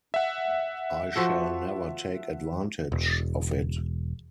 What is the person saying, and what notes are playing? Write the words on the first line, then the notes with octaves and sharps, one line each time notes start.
I shall never take advantage of it.
E5 F#5
F3 F#4 A4
E1